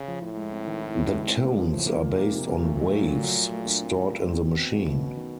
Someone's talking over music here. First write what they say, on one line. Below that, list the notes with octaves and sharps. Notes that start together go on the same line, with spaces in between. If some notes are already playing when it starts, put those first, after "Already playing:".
The tones are based on waves stored in the machine.
Already playing: C#3
F3
A2 E4
G#3
C4
D#3
E4
C4
G#3
C4
G2 A#3
F3
A2 F3
A#3
A#2 A#3
A#3
C3
F3
A3
F#3
A3
F#3
F#3
F#3
A3
D4
C4
A3
C4
C4
B2 C4
C4
F#3
A3
C#4
D#3